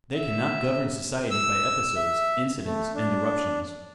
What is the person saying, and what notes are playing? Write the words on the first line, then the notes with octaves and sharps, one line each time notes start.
They cannot govern society by episodes, incidents, and eruptions.
E5
E6
E5
A3
D4